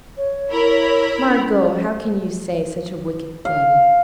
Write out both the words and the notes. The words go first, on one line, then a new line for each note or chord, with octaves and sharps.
Margot, how CAN you say such a wicked thing.
C#5
E4 A#4 B5
C#4
F5